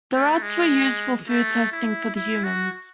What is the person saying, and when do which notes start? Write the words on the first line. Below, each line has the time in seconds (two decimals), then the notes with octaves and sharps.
The rats were used for food testing for the Humans.
0.13 A3
0.42 G#3
1.28 A3
1.72 E4
2.16 E4
2.44 F#4